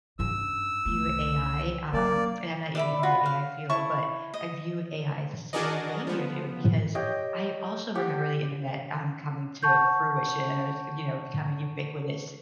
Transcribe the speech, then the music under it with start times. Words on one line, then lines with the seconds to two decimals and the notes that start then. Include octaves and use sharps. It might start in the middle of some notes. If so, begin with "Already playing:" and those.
view AI, um, and I'm not even in the AI field, but I view AI the same way you do because I also remember the internet, um, coming to fruition or, th you know, becoming ubiquitous,
0.19 G2 C#4 E6
0.85 C2 A3
1.93 F#3 A#3 D5
2.75 D5 E5 B5
3.03 F4 F#4 B5
3.26 F5
3.69 E4 A5 C#6
4.34 D#5
5.53 D4 F#4 G#4 A#4 D5 D#5
6.07 F3 B3
6.95 G4 C#5 D#5 G5
7.95 G4 F#5
9.63 F#5 A5 C#6 G6